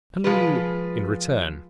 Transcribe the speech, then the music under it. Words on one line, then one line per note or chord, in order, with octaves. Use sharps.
Halloo!' in return.
F3 G#3 B4